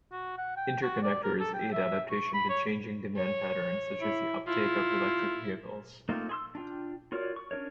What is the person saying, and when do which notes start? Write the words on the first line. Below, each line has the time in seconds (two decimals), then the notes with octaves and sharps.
Interconnectors aid adaptation to changing demand patterns such as the uptake of electric vehicles.
0.12 F#4
0.38 F#5
0.57 G5
0.83 F#4
1.03 D5
1.23 A#4
1.40 A4
1.54 G5
1.73 E5
2.10 C#6
2.34 B5
2.49 C#5
3.16 C#5
4.01 E4
4.47 E4 F4
6.09 A3 A#3 C4 D#4 F4
6.29 G#4 C6 E6
6.55 D4 F4 G5
7.12 F4 F#4 A#4 C#5 D5
7.36 C#6
7.51 C#4 D4 A#4 C#5